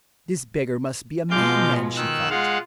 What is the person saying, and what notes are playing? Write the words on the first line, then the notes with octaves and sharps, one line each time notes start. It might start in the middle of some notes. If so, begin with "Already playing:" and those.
This beggar must be a madman, she thought.
B2 F3 G#3 F5 D6 G6
D#3 E6 F#6
G#3 F4 F5 F#5